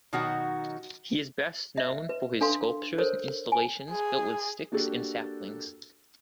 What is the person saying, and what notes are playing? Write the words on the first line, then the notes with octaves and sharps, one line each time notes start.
He is best known for his sculptures and installations built with sticks and saplings.
B2 D#3 F#3 D#4 F#4
D#5 E5
B4
D4 A4 F5 C6
A4 A#4 C5 C#5
G#5
G#4
A#3 D4 F#4 G4 A4 A#4